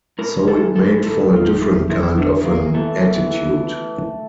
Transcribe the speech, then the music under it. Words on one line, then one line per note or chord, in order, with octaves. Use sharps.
So it made for a different kind of an attitude.
A2 A#4
E3 A4
A2 A4
A2 A4
A2 F4
G4
E3
E3 E4
E3 D4
E2 A#3
E3 A3
E2
E3